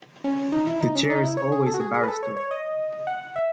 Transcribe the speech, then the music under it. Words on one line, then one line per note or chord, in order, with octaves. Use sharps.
The chair is always a barrister.
C#4
D#4
E4
D#4
C#4
D#4
E4
C#5
G#4
A4
F#4
G#4
G#4
B4
A4
C#5
C#5
D#5
F#5
E5